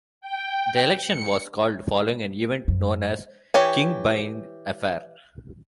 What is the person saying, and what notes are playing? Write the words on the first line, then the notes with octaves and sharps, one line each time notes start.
The election was called following an event known as the King-Byng Affair.
G5
C#7
F#2
E3 G4 C#5 G#5